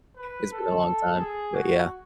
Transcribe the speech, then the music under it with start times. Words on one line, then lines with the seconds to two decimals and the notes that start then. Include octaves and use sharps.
it's been a long time, but yeah.
0.16 B4
0.52 A4
1.20 G#4
1.54 F#4